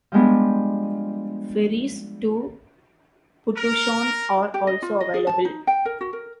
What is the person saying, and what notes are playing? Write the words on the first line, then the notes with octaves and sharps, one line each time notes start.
Ferries to Putuoshan are also available.
F3 G3 G#3 B3 D4
A#4
G4
D#5
F4
D#5
G#4
A5
D#4
G5
A#4
F#4
A#4